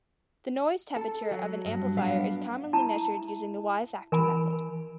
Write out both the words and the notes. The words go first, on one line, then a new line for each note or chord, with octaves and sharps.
The noise temperature of an amplifier is commonly measured using the Y-factor method.
A4
F#3
G2
B3 D4 F5
E4 A5 A#5
E3 A#4 G#5 B5